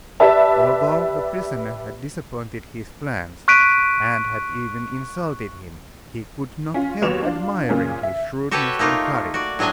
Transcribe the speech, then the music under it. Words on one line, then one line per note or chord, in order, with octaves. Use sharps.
Although the prisoner had disappointed his plans, and had even insulted him, he could not help admiring his shrewdness and courage.
G4 B4 D5 E5 A5
C#6 F#6 B6 D7 D#7
C#4 F4
D#2 F#3 B3 C#5 E7 F7
D4 F4
A#2 C#3 A#3 C#4
E5
F#4 G4 A4 B4 C#5
A3 A#3 D#4 F4
F#4 D5
A2 F#3 D4 D#5 G#5